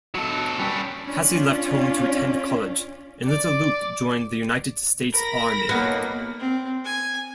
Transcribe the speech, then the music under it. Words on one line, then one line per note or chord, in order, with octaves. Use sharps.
Hassie left home to attend college, and Little Luke joined the United States Army.
F#3 A4
G3 C#4
C#4 D4 F4
D5 D6
A#4 B5 A#6
B1 A#3 B3
C4
G#5